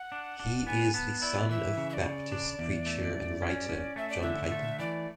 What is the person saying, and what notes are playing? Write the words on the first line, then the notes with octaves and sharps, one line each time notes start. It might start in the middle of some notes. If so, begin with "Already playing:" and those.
He is the son of Baptist preacher and writer John Piper.
Already playing: F#5
D4
D4
B3 G#5
B3 A5
E4 D5
E3 E5
C#3
E5
D5
C#3
D4
E2
A3
F#2
C#4
C#4
A3 E5
D5
D3 E5
A3
E3 D5